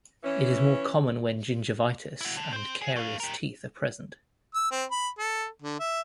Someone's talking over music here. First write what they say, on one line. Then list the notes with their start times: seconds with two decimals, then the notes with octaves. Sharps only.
It is more common when gingivitis and carious teeth are present.
0.24 E3 C#4
2.21 E4 F#4
2.37 D3
2.52 C4 C5
2.82 G#4
2.96 A3 F5
3.20 G4 A#4
4.55 E6
4.71 C4
4.91 B5
5.19 A4
5.62 D3
5.80 E5